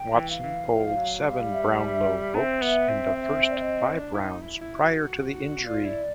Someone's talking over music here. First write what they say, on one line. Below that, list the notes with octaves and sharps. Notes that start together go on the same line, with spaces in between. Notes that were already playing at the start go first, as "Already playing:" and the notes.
Watson polled seven Brownlow votes in the first five rounds prior to the injury.
Already playing: G5
E3
F5
E3
F3
F#3
G3
E5
C4
B3
C4
E5
D5
D#5
D4
E4
D#4
E4
E4
F#4
F4 D5
E4